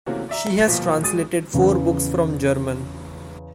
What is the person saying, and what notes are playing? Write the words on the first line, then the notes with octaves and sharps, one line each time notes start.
She has translated four books from German.
C3 E3 A3 A#3 C#4 F#4
D5 E5 A#5
G2
D#1 D#2 B2 F3 A#3 B6
G#1 G#3 D#6 A6 D#7
E2 C#3